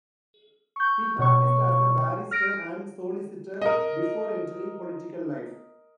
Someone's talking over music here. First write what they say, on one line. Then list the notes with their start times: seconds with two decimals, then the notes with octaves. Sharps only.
He practiced as a barrister and solicitor before entering political life.
0.76 C#6 G6
1.19 B2 C#5 C#6
2.31 F6 A#6 D7
3.61 A#4 D#5